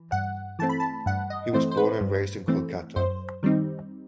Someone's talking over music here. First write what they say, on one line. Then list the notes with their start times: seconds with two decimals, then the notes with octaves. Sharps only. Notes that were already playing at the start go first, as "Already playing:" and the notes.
He was born and raised in Kolkata.
Already playing: E3
0.12 G2 F#5
0.59 E3 A3 C4 A5
0.69 B5
0.80 A5
1.06 G2 F#5
1.30 D#5
1.53 E3 A3 C4 C5
1.71 C5
1.77 B4
2.01 G2
2.48 E3 A3 C4
2.96 F#2 C5
3.43 D#3 G3 C4 D#4